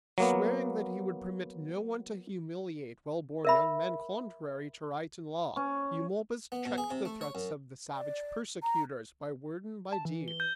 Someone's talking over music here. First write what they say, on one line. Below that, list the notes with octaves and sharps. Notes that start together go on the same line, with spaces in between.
Swearing that he would permit no one to humiliate well-born young men contrary to right and law, Eumolpus checked the threats of the savage persecutors by word and by deed.
F#3 A#3 B3
A#4 E5 B5
C#4
B3
B2
G#4
C3
A3
C#5
F#2
D5
A#5
A5
E3
G7
G6